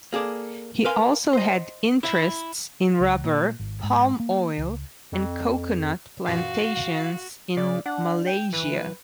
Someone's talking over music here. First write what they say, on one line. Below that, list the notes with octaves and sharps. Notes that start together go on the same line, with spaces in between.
He also had interests in rubber, palm oil and coconut plantations in Malaysia.
A#3 G#4 A4 D5
A#4 B4 F5 G#5 C6
C5 D#5
E4 E5
C#2
A#2
G#1
G#2
A#3
C#2
F2
F#2 A#2 E3 F#4 F5
C#3 D5
D4 F#5
G5
E3 B4